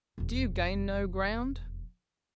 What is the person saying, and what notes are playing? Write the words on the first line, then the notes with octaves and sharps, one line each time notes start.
"Do you gain no ground?"
E1 F2